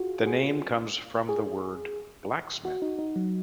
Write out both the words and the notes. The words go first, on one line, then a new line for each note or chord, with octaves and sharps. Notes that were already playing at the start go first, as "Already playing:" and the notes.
The name comes from the word "blacksmith".
Already playing: F4 F#4 G#4
F#4
G#4
G#4
F#4
D#4
D#4
F#3